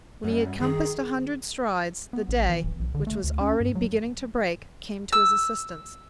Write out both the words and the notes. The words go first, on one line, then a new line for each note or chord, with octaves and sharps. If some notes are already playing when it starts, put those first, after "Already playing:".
When he had compassed a hundred strides, the day, which was already beginning to break, came to his assistance.
F#2 G3
D#3 G#4
B3
A1
E3
D1
B1
D3
A3
D2
C#4
G2
F#3
E6